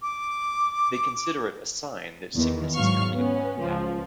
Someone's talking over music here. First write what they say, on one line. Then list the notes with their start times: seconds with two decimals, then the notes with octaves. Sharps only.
They consider it a sign that sickness is coming upon the cattle.
0.02 D6
2.35 E2 D#3
2.75 G#2 F#3 F5 C#6 F6
3.14 B3 C#4
3.59 C#2 F3